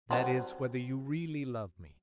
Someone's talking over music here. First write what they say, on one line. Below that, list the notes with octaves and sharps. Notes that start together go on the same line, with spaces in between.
"That is, whether you really love me?"
F#3 G3 C4